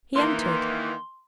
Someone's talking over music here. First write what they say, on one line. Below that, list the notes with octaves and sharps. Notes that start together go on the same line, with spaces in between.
He entered.
D#3 E3 A#3 C6